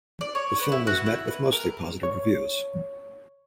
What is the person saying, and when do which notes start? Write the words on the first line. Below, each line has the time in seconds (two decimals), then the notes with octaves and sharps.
The film was met with mostly positive reviews.
0.21 D5
0.35 C#5
0.59 B4
0.72 E4
0.87 F#4
1.06 E4
1.28 B4
1.52 A#4
2.03 C#5